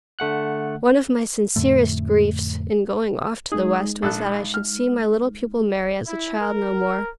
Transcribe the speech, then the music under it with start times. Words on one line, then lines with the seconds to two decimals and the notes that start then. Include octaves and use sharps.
One of my sincerest griefs in going off to the West was that I should see my little pupil Mary as a child no more.
0.19 D3 A3 F#5 F#6
1.56 F2 A2 D3 A3
3.52 G#3 D#4 G#4
4.02 A#1 A4 F#6
4.54 F6
6.06 E4
6.40 A#4